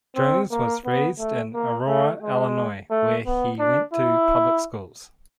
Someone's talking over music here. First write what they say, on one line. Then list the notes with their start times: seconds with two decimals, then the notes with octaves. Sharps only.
Jones was raised in Aurora, Illinois, where he went to public schools.
0.16 C4
0.51 A#3
0.85 B3
1.18 A3
1.54 A#3
1.87 A3
2.22 G#3
2.90 A3
3.26 B3
3.59 D4
3.94 E4